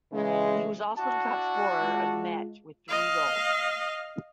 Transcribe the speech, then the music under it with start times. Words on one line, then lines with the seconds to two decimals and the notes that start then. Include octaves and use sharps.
He was also the topscorer of the match with three goals.
0.12 C#3 E3 G#3
0.97 D4 E4 F#4 A5
1.81 G#3 F4
2.89 D#5 F5